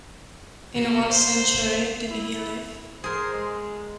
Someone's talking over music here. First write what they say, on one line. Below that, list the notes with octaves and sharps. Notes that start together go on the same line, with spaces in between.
In what century did he live?
B2
C5
E4
G#4 A#4 C5
G#3